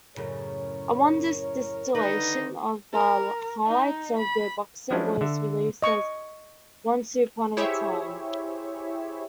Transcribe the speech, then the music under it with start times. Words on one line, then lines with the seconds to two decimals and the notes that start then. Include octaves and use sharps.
A one-disc distillation of the highlights of the box set was released as Wonsuponatime.
0.17 F#2 A2 C#3 A#4 C#5
1.95 D3 D#3 D#4 B4 D5
2.93 A#4
3.66 D#4
4.18 B5
4.91 F3 F#3 G#3 C#4 D4 E4
5.21 D3 E5
5.82 D#5 C#6
7.57 E4 G4 G#4 C5 C#5 E5